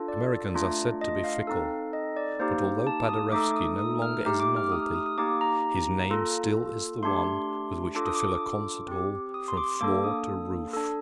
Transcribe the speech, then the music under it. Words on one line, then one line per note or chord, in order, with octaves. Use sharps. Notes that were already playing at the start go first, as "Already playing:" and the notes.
Americans are said to be fickle; but although Paderewski no longer is a novelty, his name still is the one with which to fill a concert hall from floor to roof.
Already playing: D4 F4 A4
D5
A3 D4 F4
D#5
F5
C4 D#4 A4
D#5
D5
A#3 D#4 G4 C5
A5
D#6
A3 D#4 A4 D6
D#6
D#6
F6
A3 D#4 G4
D6
F6
D#6
F6
D#6
D#6
A#3 D#4 G4 D6
A#5
A#3 F4 A4
A3 D4 G4 C6
D4 F4 A4 D6
D#6
D6
C4 G4
D#6
C6
D6
A#3 D4 A4 D6
D#6
D4 A4